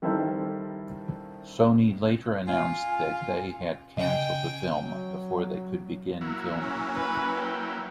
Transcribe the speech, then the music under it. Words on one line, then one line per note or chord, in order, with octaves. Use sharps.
Sony later announced that they had cancelled the film before they could begin filming.
D#3 G3 E4 A4 A#4 C5
F4 G#5
C#3 D#5 G5 G#5
F#3
F#3 A#3 E4
C#4
B4
G5